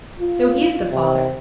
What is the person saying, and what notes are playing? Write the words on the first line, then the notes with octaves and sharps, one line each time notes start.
"So he is the father."
F4
C3